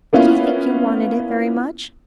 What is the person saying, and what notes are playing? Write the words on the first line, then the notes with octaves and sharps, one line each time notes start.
'Did he think you wanted it very much?'
A#3 B3 C#4 E4 F4